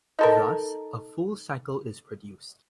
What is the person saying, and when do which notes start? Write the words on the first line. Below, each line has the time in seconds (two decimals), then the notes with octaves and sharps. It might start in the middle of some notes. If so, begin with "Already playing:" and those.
Thus, a full cycle is produced.
0.19 D#4 A4 A#4